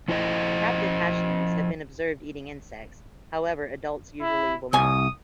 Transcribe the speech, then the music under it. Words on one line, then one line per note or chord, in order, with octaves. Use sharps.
Captive hatchlings have been observed eating insects; however, adults usually will not.
F3 E4 C5 D#5
E4
C2 G#5 D#6